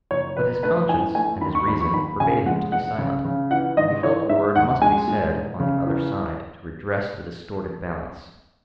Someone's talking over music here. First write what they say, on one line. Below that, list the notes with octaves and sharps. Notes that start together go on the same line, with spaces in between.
But his conscience and his reason forbade him to be silent; he felt a word must be said on the other side to redress the distorted balance.
F#1 C#5
F#1 B4
A3 B4
E3 G#5
A3 G#5
D#2 B5
C#6
D#2 B5
C#6
D#2 B5
C#3 G#5
G#3 F#5
E1 F#5
C#3
C#3
E3 F#5
G#1 D#5
E3 C#5
G#2 E5
D#2 F#5
G#3 G#5
G#3
E1
C#3
E2